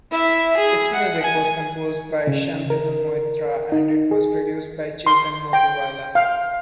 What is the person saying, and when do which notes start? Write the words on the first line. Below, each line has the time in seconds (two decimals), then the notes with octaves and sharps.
Its music was composed by Shantanu Moitra, and it was produced by Chetan Motiwalla.
0.12 E4 E5
0.57 G#4
0.93 F#5
1.22 G#5
2.27 C#3
2.70 A#4
3.72 D#4
4.11 G#4
5.07 C6
5.53 G5
6.15 F5